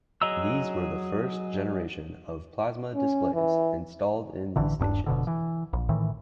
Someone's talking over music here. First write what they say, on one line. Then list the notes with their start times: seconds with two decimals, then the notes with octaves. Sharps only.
These were the first generation of plasma displays installed in these stations.
0.22 F#3 G#4 D#5 A#5 E6
2.95 C#4
3.34 E3
4.56 A1 D3 E3
4.79 D#1 G2 A#3 D4
5.06 F1 B2 D3
5.27 E3
5.73 A#1
5.89 A2 D#3 E3